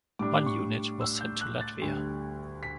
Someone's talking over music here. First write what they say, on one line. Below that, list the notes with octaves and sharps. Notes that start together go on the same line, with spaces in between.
One unit was sent to Latvia.
A2 G3 D4 D6
C#6
E6
G6
F#6
A6
D2 D3 G3
B6